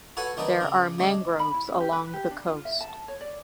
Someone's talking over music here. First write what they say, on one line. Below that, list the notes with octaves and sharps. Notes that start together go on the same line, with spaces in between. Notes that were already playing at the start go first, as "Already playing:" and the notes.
There are mangroves along the coast.
F#4 A4 B4 C#5 F#5 G#5
D#3 F#3 D4 B4 D#5 A5
C#3 D4
C#3 G#3 D4
B5
E4
C#4
G4
B4
G4
D4
F4
E5
A5
C#5
D5